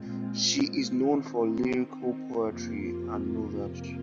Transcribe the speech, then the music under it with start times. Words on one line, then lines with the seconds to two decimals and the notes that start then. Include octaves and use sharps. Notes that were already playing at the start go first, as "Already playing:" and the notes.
She is known for lyrical poetry and novels.
Already playing: A#2 G#3 C4 F4
0.87 D#3 C4 D#4
2.38 F2 C3 F3 A#3 F4